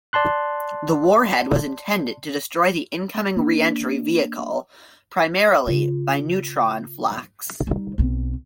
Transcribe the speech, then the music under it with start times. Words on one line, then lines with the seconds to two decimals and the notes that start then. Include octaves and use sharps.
The warhead was intended to destroy the incoming reentry vehicle primarily by neutron flux.
0.13 D5 A5 C6 F#6
3.37 A#3 D4
5.67 C#3 F4
7.67 G3 D#4
7.98 B1 C4